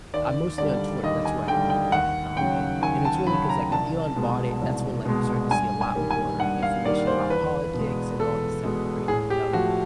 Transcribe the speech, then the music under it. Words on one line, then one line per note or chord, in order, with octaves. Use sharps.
I'm mostly on Twitter, that's where I'm really at, um, and and it's really 'cause, like, when Elon bought it, that's when, like, you started to see a lot more information about politics and all this type of crazy stuff,
D#2 D5
D3 G3 D5
D#2 D#5
G#5
D3 G5
G3
G5
D#2 F#5
C#3 F#3 G5
D#2 G#5
A5
C#3 F#3 B5
A#5
C2 A5
B2 G#3
C2
B2 G#3
G2 G#5
G#5
D#3 G3 A#3
G#5
G2 F#5
F5
D#3 G3 A#3 D5
C5
E2 B4
B2 G#3
E2 A4
B2 G#3
A2 G#4
G4
F3 A3 F#4